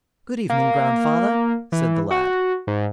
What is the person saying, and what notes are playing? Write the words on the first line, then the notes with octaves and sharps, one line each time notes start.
'Good evening, grandfather!' said the lad.
A#3
E3
F#4
G#2